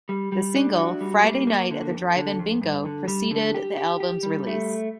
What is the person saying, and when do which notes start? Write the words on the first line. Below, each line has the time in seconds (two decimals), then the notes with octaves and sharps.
The single "Friday Night at the Drive-in Bingo" preceded the album's release.
0.09 G3
0.32 G3
0.55 D4
0.78 F#4
1.01 G3
1.24 A#3
1.47 A#3
1.71 D3
1.94 F2
2.16 D3
2.39 F2
2.62 G2
2.85 D3
3.08 G3
3.31 D3
3.54 G4
3.77 G4
4.00 G4
4.23 G3
4.47 A3